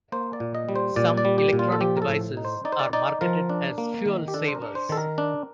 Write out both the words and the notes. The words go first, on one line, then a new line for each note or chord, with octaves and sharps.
Some electronic devices are marketed as fuel savers.
A#3 C5
D5
A#2
D#5
G3
C5
A#2 D5
D5
G3
G4
A#2
F4
A4
F3 G4
A#4
A4
A2
D#4
C5
D#4 D5
C5
D5
D#4 D5
F3 A#4
D4
A#3
D#3
G4
D4 A4
C5
A#4
D4
C5
D#3 A4
A#4
D4